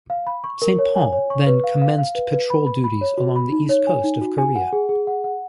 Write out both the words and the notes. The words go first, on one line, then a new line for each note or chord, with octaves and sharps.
"Saint Paul" then commenced patrol duties along the east coast of Korea.
F5
B5
C#6
A#4
C#5
G#5
C#5
C#6
B4
F5
F5
F5
B4
B4
B5
B5
B5
C#5
F#4
B5
D#4
C#5
G#5
D#4
F#4
G#5
F#5
G#4
G#4
F#5
F#5